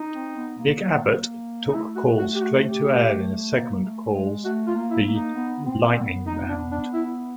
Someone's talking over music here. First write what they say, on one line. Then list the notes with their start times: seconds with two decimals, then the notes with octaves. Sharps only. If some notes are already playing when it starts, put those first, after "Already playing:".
Nick Abbot took calls straight to air in a segment calls the "Lightning Round".
Already playing: D#4
0.14 C4
0.36 B3
0.59 A#3
0.82 A#3
1.68 D#4
1.72 A3 E4
1.95 F#4
2.18 F#4
2.35 G4
2.41 F#4
2.63 G4
3.54 A#3
3.84 A3
4.15 G#3
4.45 A3 F#4
4.67 F4
4.75 A#3
4.91 E4
5.05 A#3
5.13 D#4
5.35 B3
5.66 C4
5.96 B3
6.26 B3 D#4
6.49 D4
6.71 D4
6.94 E4